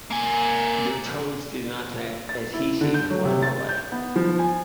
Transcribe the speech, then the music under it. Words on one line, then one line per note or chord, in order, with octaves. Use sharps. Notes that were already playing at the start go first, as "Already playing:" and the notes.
The toes do not have adhesive lamellae.
A#3 G#5
A6
E4
D3
G6
F#3
C3
A6
G6
B3
F3
G#5